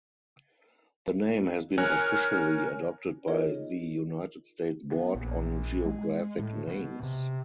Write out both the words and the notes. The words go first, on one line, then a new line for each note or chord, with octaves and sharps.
The name has been officially adopted by the United States Board on Geographic Names.
A#4 C#5 G#5 F6 F#6
D#4 F4 G#4 A#4 C#5 D#5
B3
A#1
G#3
A2
B2
C3